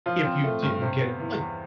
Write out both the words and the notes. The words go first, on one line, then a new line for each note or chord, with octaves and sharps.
if you didn't get it, like,
F3 F4
C4
A3
G2
C3
B3
E3
E2